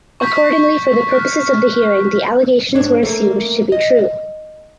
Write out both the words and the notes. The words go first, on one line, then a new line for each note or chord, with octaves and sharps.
Accordingly for the purposes of the hearing the allegations were assumed to be true.
C#6 G6 B6
F6 F#6
G#2 D4 C#5
A3 A#3
D#5